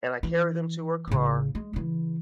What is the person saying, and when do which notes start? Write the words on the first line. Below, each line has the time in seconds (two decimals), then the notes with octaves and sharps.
and I carried them to her car
0.23 E3
1.07 A1 C#3
1.55 G#3
1.73 C#3 E3